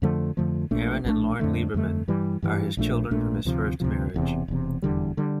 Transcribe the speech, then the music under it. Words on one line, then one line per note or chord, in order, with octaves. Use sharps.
Erin and Lorne Lieberman are his children from his first marriage.
F2 D3 F3 A3
F2 D3 F3 A3
A#1 A#2 A3 D4
A#1 A#2 A3 D4
F2 D3 A3
F2 D3 A3
G2 E3 G3
G2 E3 G3
A#1 A#2 A3 D4
A#1 A#2 A3 D4
D2 C3 F3
D2 C3 F3
E1 E2 C3
E1 E2 C3
F1 E2 D3 G3
D3 G3